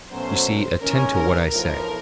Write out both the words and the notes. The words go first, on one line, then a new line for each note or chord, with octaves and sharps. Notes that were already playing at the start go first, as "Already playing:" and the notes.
You see, attend to what I say.
B2 F#3 A3 C#4 C5
D#2 C#3 E3 G#3 C#4 A#4
A#4
B1 A2 F3 A#4